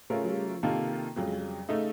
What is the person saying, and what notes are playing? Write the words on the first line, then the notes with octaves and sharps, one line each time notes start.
Ooh, you know,
C#3 A3 C#4 F4 A#4
C3 D#3 A#3 F4 A4
F2 C#3 F#3
C#3 A3 D#4